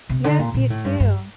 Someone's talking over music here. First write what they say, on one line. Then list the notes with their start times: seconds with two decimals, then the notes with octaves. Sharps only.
Yes, you, too.
0.09 C3
0.24 D3
0.39 A#2
0.54 A#2
0.70 A2
0.84 G2
1.00 G2